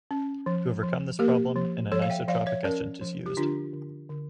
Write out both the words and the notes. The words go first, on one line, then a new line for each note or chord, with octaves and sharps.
To overcome this problem an anisotropic etchant is used.
C#4
F3
F3
A#3 G4 A#4
F3
F3 A4 C#5
F5
E5 G5
F3 D5 F5
C#5 E5
C#4 A#4 D5
F3
G4
D3 D4 F4
D3
D3